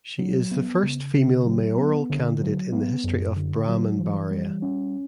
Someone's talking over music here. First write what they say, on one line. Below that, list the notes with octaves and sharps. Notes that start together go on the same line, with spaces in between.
She is the first female mayoral candidate in the history of Brahmanbaria.
F#3
B3
C#3
C#3
F#3
B3
D3
F#3
B3
F#2
D3
F#3
E3
G3
C#4